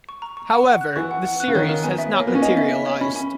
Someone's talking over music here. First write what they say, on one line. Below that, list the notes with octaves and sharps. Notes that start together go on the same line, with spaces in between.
However, the series has not materialized.
C#6
A#5
C#6
F#5
F#5
F#6
E3 C#6
F#5
F#5
F#6
C#3
D#3 C#5
A#4
B3 G#5
E5
C#5
A#3
B3 A#4
C#4
D#4 G#5
E5
E5
C#5
C#4 B5
G#5